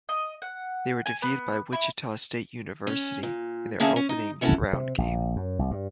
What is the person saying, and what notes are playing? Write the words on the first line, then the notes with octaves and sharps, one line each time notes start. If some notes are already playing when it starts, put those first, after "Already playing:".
They were defeated by Wichita State University in their opening round game.
D#5
F#5
G#5
B3
E4
C#4
A#2
D3 A#3 C#4 G#4 E5 A5
C#4
D#4
E3 G3 C#4 E4 F#4 A4
C3
A#1
F#2
C2
G2